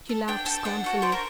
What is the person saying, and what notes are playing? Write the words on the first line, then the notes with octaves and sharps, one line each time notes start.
She laughed scornfully.
A4
D4 G5
A4 A5
D4 F#5
F#4 A4
D4 C5
A#4